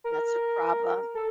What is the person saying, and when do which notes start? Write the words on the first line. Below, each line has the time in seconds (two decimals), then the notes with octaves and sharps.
That's a problem.
0.04 A#4
1.15 A4